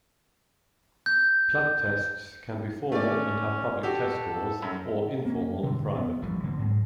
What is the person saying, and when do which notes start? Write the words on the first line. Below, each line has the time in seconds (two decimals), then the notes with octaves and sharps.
Plugtests can be formal and have public test scores or informal and private.
1.06 G6
2.92 A3 C#4 D5
3.83 F#4 G4 A4
4.62 F#2
5.25 A#3 C#4
5.63 B2 D3 E3
5.96 B3
6.22 A1 E3 F3 G3
6.44 D3 F3 A#3 C4
6.58 D2 G#2 F#3 G#3